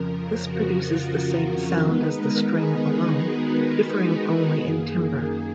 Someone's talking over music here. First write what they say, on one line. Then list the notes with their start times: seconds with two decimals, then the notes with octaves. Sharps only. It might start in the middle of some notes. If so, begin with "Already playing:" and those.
This produces the same sound as the string alone, differing only in timbre.
Already playing: F2 C#3 F3 A#4
0.46 F#4
0.80 F4
1.16 F#4
1.50 A#4
1.84 D#3 G#3 B3 D#4 B4
2.19 A#4
2.54 G#4
3.23 F#4
3.57 G#4
4.61 F#2 D#3 A#3